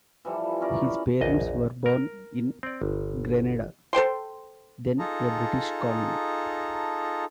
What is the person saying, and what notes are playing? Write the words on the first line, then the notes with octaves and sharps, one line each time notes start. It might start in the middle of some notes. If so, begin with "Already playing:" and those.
His parents were born in Grenada, then a British colony.
E3 F3 G3 A4
C#4 E4 A#4 D5
A#1 E2 D#5
A#4
C4 D5
G1
A4 C5 G5 C6
D#4 F4 G#4 A4 A5 A#5